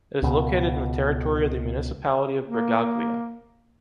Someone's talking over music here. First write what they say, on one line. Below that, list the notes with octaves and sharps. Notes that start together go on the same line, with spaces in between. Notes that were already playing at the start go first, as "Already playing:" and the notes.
It is located in the territory of the municipality of Bregaglia.
C#2 B2
A#3